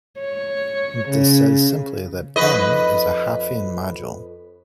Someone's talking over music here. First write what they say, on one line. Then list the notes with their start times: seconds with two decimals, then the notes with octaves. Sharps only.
This says simply that "M" is a Hopfian module.
0.21 C#5
1.09 C#3
2.36 F2 B4 D#5